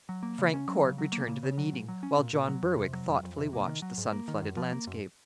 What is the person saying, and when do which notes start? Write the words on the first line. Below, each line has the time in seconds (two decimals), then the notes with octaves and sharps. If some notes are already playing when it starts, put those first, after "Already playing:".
Frank Corte returned to the kneading, while John Berwick thoughtfully watched the sun-flooded landscape.
0.09 F#3
0.23 A#3
0.38 C#3
0.54 C#4
0.68 F#3
0.83 C#3
0.98 F#3
1.12 A#3
1.27 C#3
1.43 C#3
1.58 F#3
1.73 A#2
1.88 F#3
2.03 C#4
2.18 A#2
2.33 A#2
2.48 F#3
2.63 F2
2.78 C3
2.93 F#3
3.08 F2
3.23 F2
3.38 C3
3.53 A#3
3.68 D#3
3.82 F#3
3.98 G#2
4.12 A#3
4.28 D#3
4.42 F#2
4.57 F3
4.72 A#3
4.87 F#2